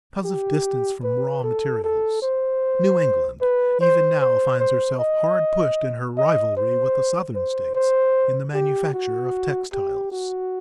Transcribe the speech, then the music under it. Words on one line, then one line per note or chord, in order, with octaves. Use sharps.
Because of distance from raw materials, New England even now finds herself hard pushed in her rivalry with the Southern states in the manufacture of textiles.
G4
B4
A4
A4
C5
B4
C5
C5
C5
D#5
D#5
C5
C5
C5
G4
F#4
G4
F#4